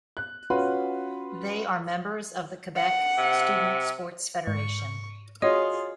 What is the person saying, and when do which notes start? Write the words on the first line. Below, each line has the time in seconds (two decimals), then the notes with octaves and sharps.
They are members of the Quebec Student Sports Federation.
0.17 F#6
0.50 C#4 F4 F#4 B4 B5 C6
2.76 F#5
3.18 C3
4.47 G#2 C#6
5.42 F4 F#4 G#4 C#5 D#5 D#6